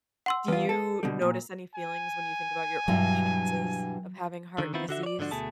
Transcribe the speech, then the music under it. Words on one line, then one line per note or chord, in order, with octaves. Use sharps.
Do you notice any feelings when you think about your own chances of having heart disease?
F#5 C6 E6
E2 F4 B4
A4
B2 D3 G3
A#2
G#5
G2 B2 E3 F#3
D3 D#3
D#3 B3 C4 E4 F4
D3 F#4 E5
C#5 D5
G#2 D3 F3 D4 F#4
D2 B2 A3 G#4 A5